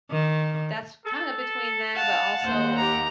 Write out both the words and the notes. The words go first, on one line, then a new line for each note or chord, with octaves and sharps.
that's kinda between them, but, also
D#3
A4
F5 F#5 A5
D#2 C5
G4 A#5